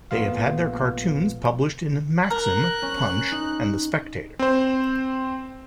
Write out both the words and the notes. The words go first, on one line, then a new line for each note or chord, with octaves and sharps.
They have had their cartoons published in "Maxim", "Punch", and "The Spectator".
A#1 A#2 A3 B3 F4 F5
A#4 F#6
C#4
D#4
C4 C5